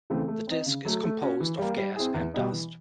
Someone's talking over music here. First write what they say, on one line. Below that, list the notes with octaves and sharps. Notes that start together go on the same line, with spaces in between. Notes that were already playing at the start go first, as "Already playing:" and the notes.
The disk is composed of gas and dust.
C#3 E3 A3 C4
A3
C4 D#4
C#3
F#3 A3
A3
C#4 F#4
E3
G3 A#3
G3
C4 E4 G#4
E2
B2 G3 B3 D#4
E3